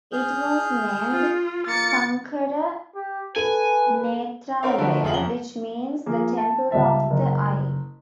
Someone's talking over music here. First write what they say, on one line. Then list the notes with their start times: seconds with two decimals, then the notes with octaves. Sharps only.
It was named Sankara Nethralaya, which means "The Temple of the Eye".
0.13 G#4 F6 G6
1.11 F4
1.67 A#3 F4 A6 C#7
2.95 G4
3.36 A4 B4 G#5
4.63 C4 C#4 D#4 A#4 C#5 F5
4.78 D3 F3 A3 E4 F#4 A#4
5.03 F1 F4 G#4 F#7
5.14 F2 C3 A#5 G7
6.06 F3 A#3 G#4
6.37 A5
6.71 C#2 G3 E5 A5
7.10 F#1